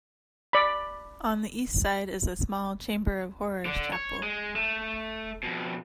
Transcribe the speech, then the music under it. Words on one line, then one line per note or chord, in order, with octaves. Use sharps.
On the east side is a small 'chamber of horrors' chapel.
D5 B5
D3
C#5
G#3
A3
F2 B2